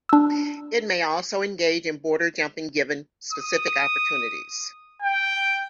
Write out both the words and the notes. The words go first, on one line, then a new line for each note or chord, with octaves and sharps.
It may also engage in border jumping given specific opportunities.
D4 E6
D#6
G5